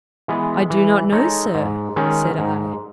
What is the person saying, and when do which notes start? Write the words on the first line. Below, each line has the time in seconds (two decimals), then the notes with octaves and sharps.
"I do not know, sir," said I.
0.28 E3 G#3 B3
0.70 E3
1.12 G#3 D#4 A4 C#5
1.55 G#2
1.96 D#3 G#3 C#4
2.39 G#2